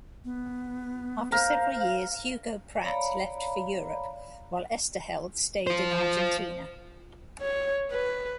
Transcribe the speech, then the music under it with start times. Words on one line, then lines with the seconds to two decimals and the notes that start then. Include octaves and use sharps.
After several years, Hugo Pratt left for Europe, while Oesterheld stayed in Argentina.
0.25 B3
1.32 A#4 C5 F5
2.82 C#5 D5 F5 A#5 B5
5.67 F4 C5
7.42 C#5
7.91 B4